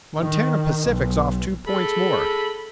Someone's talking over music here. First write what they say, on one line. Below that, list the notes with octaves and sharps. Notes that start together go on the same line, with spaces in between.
Montana Pacific's off two points more.
D#3
B1
G#4 A4 B5